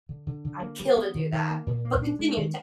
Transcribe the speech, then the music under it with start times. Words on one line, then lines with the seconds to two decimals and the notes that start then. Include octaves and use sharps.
I'd kill to do that. But continue, ta
0.09 D3
0.27 D3
0.45 D3
0.62 A#3
0.80 G3
0.96 B3
1.15 D#3
1.32 D#3
1.50 A#3
1.67 A#2
1.85 A#3
2.02 D4
2.19 G#3
2.37 D#3